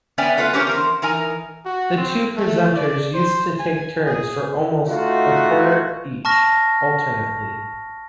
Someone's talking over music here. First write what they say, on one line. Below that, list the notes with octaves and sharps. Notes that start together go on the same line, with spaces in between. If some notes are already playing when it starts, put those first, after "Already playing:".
The two presenters used to take turns for almost a quarter each, alternately.
B3 C#4 D5 E5 G5 G#5
A3 B3 F4 B4
C#4 D4 G4 A#4 C5 C#5
E2 A#4 C5
E3 D#4 A#4 G#5 A#5
F#4
C4
A3
D5
C5
G#5
G#4
A3 D#4 F4 F#4
A5 C#6 F6 A#6